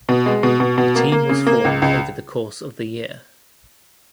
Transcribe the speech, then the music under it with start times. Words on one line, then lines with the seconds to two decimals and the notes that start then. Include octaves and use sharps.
The team was formed over the course of the year.
0.09 B2
0.26 G#3
0.43 B2
0.60 B2
0.78 B2
0.95 A#3
1.12 A#3
1.29 C#3
1.47 A#3
1.65 C#2
1.82 C#2